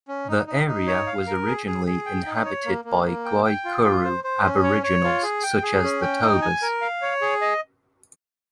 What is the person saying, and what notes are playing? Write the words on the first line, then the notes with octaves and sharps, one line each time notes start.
The area was originally inhabited by Guaycuru aboriginals such as the Tobas.
C#4
D#4
D#4
D#4
C#5
F5
A#4
G#4
G#4
G#4
G5
D#4
C#5
A#3
A#3
A#3
G5
G5
F4
F4
C5
C5
C#4
C#5
C#5
F4
G#4
G5
G#4
C#4
G5
D#4
G#5
A#4
F5
C#5
G#4
D#5